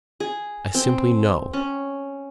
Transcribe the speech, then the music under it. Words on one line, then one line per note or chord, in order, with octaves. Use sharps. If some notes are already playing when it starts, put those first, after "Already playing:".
I simply know.
G#4
C4
C#4